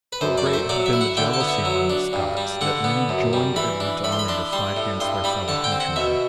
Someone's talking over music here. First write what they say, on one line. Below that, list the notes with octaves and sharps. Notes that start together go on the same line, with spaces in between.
So great had been the jealousy among the Scots that many joined Edward's army to fight against their fellow countrymen.
B4
F#2 C5
D5
A3
C5
F#3 D5
E5
E4
F#5
D3 G5
A5
B3
E5
F#3
D4
G2
G3
D3 F#5
B3
F#2
G3
E3 B5
D4
A2 B5
C6
B5
D4 C6
G3 C6
A2
G2 C6
G3 B5
D3 A5
G5
C4
F#5
B2 E5